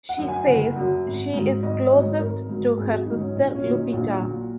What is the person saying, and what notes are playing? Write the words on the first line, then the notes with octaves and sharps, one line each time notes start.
She says she is closest to her sister Lupita.
F#5
F#2 F#3
G#5
F#1 F#5
F#2 F#3
G#1
G#2 F#3
G#1 D#5
G#2 F#3 C#5
G#1 A#4
G#2 F#3
G#1 G#4
F#4
G#2 F#3 D#4
C#4
A#1
C#4
A#2 F#3
D#4
A#1 F#4
A#2 F#3